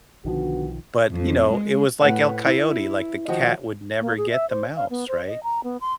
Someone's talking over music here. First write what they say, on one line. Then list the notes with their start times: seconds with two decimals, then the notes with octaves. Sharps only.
but, you know, it was, like, El Coyote, like, the c cat would never get the mouse, right?
0.25 B1 D3 D#3 F3 B3 F#4
1.13 F2
1.52 G#3
2.01 A2 B4 F#5
2.46 E4
3.28 D#3 F3 F#4
4.01 A#3
4.17 G#4
4.31 E5
4.50 C5
4.76 F5
4.90 B3
5.08 C5
5.27 D#5
5.43 A#5
5.64 B3
5.81 C6